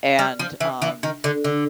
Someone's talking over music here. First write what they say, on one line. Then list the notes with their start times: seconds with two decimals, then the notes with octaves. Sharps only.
And, um,
0.19 G3
0.39 F3
0.60 E3
0.82 E3
1.03 D#3
1.24 D3
1.44 D3